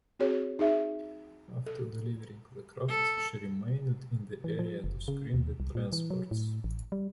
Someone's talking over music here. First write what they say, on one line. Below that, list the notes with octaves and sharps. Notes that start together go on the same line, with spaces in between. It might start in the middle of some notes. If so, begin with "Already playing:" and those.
After delivering the craft, she remained in the area to screen the transports.
C4 F#4 G#4 C#5
D#4 G#4 E5
A4
A4
E3
F3
F#1
C#3
D#2
C2
A#2
E3
F#3
A2
A1
G3